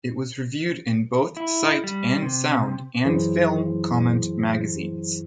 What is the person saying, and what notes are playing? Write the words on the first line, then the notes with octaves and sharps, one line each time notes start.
It was reviewed in both Sight and Sound and Film Comment magazines.
E4
G3
C3
F#2 E3 F#3 E4 G#4 C5